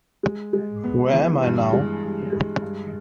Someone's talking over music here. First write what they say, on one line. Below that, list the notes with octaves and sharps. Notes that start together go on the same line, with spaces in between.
Where am I now?
G#3
G#3
B3
E3
G2
G#3
G2
G#3
G2